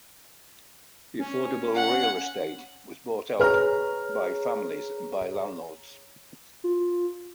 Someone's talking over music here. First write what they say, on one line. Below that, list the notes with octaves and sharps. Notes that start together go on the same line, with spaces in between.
The affordable real estate was bought out by families and by landlords.
C#4
F#5
G#4 B4 C#5 A#5 F6
F4